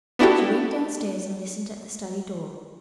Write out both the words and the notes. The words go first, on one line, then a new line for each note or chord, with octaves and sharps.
She went down-stairs, and listened at the study door.
B3 D4 E4 F#4 G4 A4